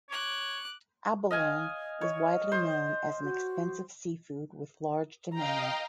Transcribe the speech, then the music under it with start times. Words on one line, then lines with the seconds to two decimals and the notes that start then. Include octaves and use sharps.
Abalone is widely known as an expensive seafood with large demand.
0.10 C#5 D6 F#6
1.31 D#5 F5 G#5
2.01 C#5 D#5
2.52 C5
3.22 F#4
5.34 D#5 F5 G5 A#5